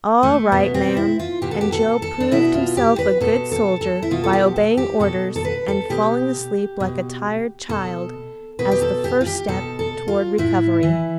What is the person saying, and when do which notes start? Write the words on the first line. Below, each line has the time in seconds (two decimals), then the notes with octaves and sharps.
"All right, ma'am;" and Joe proved himself a good soldier by obeying orders, and falling asleep like a tired child, as the first step toward recovery.
0.23 A3
0.52 B2 B3
0.74 C4
0.97 E4
1.19 F4
1.42 B2 G4
1.51 A4
1.61 G4
1.72 A4
2.02 A4
2.20 D4
2.31 B2 E4
2.54 F4
2.77 G4
2.99 B4
3.21 B2 A4
3.52 A4
3.81 A4
4.02 E4
4.11 B2 F4
4.24 A4
4.33 G4
4.56 A4
4.77 G4
5.00 B2 A4
5.36 A4
5.45 B4
5.68 A4
5.90 B2 G4
6.80 B2
7.69 B2 A4
8.59 B2 B4
8.71 G4
8.82 A4
9.04 G4
9.21 F4
9.26 G4
9.48 B2 A4
9.79 A4
10.08 F4
10.38 A2 E4
10.83 E3